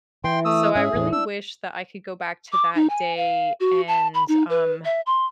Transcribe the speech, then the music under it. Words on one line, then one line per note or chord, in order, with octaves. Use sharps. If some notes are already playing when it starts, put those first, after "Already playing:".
So, I really wish that I could go back to that day, and, um,
E3 G5 C6
A3 D#6 E6
G#2 C#4 G#4 E5
E2 A2 E3
D4 E6
D6
D#4
G#5
F5
F#4
A5
B5
D#4
B4
E5
C6